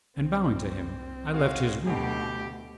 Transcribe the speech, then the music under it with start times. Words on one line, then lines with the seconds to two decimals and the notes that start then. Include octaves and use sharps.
And bowing to him I left his room.
0.17 C2 C4
1.32 G#3 F#4 F5
1.86 D2 B2 G4